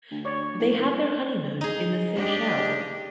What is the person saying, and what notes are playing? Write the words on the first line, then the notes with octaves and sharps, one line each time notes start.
They had their honeymoon in the Seychelles.
D2
C#5 D5
A2
G1
D#4 G#4
D4 G4 D#5